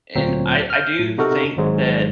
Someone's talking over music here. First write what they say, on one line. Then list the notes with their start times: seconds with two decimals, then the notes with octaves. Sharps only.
and I I do think that
0.15 D2 A#2 F#3 C4
0.70 F6 G6
0.99 A2
1.18 C3 D#4 F#4 A4 A#4
1.57 G#1 G#2 F#3 G#3